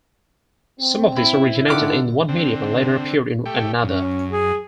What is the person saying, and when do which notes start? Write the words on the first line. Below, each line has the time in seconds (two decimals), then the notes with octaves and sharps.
Some of these originated in one medium and later appeared in another.
0.80 C4
1.17 E4
1.69 D3 D#3 D6 F6
2.28 D3 C4
3.46 A3 G4
3.83 F#2 C#4
4.31 G#4